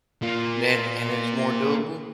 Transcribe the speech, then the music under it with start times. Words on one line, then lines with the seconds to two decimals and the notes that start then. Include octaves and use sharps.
then and it's more doable,
0.22 A#3 F4